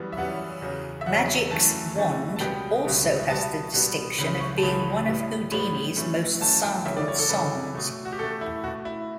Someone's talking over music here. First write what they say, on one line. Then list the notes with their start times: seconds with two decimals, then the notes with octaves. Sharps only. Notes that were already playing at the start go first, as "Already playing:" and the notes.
"Magic's Wand" also has the distinction of being one of Whodini's most-sampled songs.
Already playing: F#2 E3 G3 B3
0.12 E5
0.17 F#2 E3 G3 B3 F#5
0.62 E2 C#3 F#3
1.01 E5
1.06 E2 C#3 F#3 F#5
1.51 F#2 E3 A3 A5
1.95 F#2 E3 A3
2.36 A5
2.40 C#2 B2 G3 B3 G5
2.85 C#2 B2 G3 B3
3.29 B2 G3 B3 A5
3.74 B2 G3 B3
4.18 C#2 C#3 E3 B5
4.40 C#6
4.57 A5
4.63 C#2 C#3 E3 B5
5.07 A2 G3 B3
5.51 A2 G3 B3 B5
5.97 F#2 E3 A3
6.41 F#2 E3 A3 A5
6.63 G5
6.85 F#2 C#3 E3 E5
6.97 D5
7.08 C#5
7.19 A4
7.30 F#2 C#3 E3 B4
7.75 B2 A3
8.05 F#4
8.12 G4
8.19 B2 A3 A4
8.41 E4
8.64 B2 A3 F#4
8.85 E4